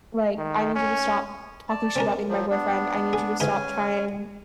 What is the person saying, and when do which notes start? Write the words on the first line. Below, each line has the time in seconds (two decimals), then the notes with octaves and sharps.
like, I need you to stop talking shit about me to my boyfriend. I need you to stop trying"
0.38 D#3
0.75 C#4
1.69 D5 A5
1.96 C4 C#4 A#4
2.29 F3 F#3
2.50 B3 D4
3.13 G#4
3.40 G#2 C#3 E3 C#4 G#5